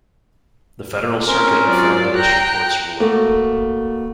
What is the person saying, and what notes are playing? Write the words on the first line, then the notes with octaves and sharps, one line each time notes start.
The Federal Circuit affirmed the District Court's ruling.
C4 C#4 A#4
F#3 F4 D5
G5 A#5 F#6
A3 A#3 F#4